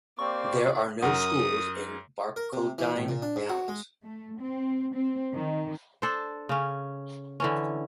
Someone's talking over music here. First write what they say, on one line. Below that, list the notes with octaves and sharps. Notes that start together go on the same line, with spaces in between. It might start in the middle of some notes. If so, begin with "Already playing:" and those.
There are no schools in Barcaldine Downs.
A#3 C4 G4 D5 C#6
F#2 A#4 F#5 D#6
A#4
C3
E3
A1
A#2
D4
G#2
F#4
G#3
A3
C4
C4
D#3
D4 A4 C5
C#3 C#4
D3 E3 C#4